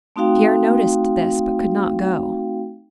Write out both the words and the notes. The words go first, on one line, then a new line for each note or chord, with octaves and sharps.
Pierre noticed this but could not go.
A3 C4 D#4 F#4 F5 G5